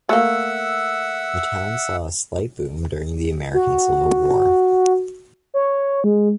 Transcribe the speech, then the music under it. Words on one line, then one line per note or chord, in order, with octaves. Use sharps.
The town saw a slight boom during the American Civil War.
A3 A#3 E5 F#5 E6
F#4
C#5
G#3